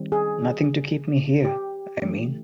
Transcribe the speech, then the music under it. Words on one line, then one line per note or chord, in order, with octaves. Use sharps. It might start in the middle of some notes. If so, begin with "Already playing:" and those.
Nothing to keep me here, I mean.
Already playing: D#3 G3 C4
G#4
G4
E3 A3 C#4